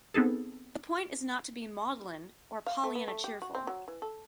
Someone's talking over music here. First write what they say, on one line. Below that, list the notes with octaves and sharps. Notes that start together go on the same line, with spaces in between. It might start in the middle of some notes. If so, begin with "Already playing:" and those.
The point is not to be maudlin or Pollyanna cheerful.
B3 C4 D#4 G#4 A4
F5
A3
B3
A3
G4
F#4
C4
F#3
E3
A4